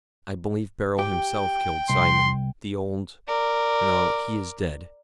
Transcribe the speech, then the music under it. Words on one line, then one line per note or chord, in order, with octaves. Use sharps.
I believe Beryl himself killed Simon--the old--no, he is dead.
G4 G5
C2 C6
A#4 D5